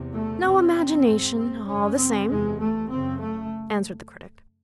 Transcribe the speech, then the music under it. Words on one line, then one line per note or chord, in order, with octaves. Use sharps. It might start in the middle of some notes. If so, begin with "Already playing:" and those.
"No imagination, all the same," answered the Critic.
Already playing: E2 C3
A3
E2 C3 C4
C4
G#2
C4
F#2 C#3 C#4
C4
E2 C3 G#3
A3
F#2 C#3 C4
A3